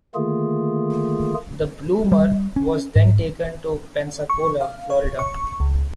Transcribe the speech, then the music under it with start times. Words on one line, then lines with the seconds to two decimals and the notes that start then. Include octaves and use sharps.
The "Bloomer" was then taken to Pensacola, Florida.
0.15 D3 D#3 A3 A#3 F4 G#4
2.12 G3
2.56 C#4
2.96 G#2
4.30 C#6
4.61 F5
4.90 C#5
5.19 C#6
5.60 C#2